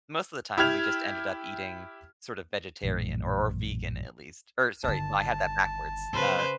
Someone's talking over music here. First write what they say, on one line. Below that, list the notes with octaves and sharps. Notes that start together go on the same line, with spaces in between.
most of the time, we just ended up eating sort of vegetarian or or vegan at least or sorry, no, I had that backwards, uh,
E4 G4 F6 G#6 F7
A#1 F#2 A2 E3
G1 D#3 A5
C#3 F#3 B3 B4 C5